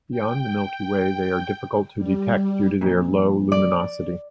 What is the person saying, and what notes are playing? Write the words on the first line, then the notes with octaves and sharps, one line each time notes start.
Beyond the Milky Way they are difficult to detect due to their low luminosity.
G5
G3
F2 A#2
D5